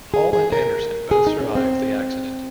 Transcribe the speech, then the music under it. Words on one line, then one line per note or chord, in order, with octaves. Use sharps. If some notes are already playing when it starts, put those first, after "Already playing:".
Hall and Anderson both survived the accident.
G#4
G#4
A#4
G#4
D#4
C#4
C4